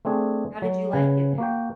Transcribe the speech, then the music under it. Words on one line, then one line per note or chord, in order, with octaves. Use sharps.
How did you like it there?
A3 C4 D4 G#4
F#3
C#3 B4 F#5 G#5
A#3 F#4 G5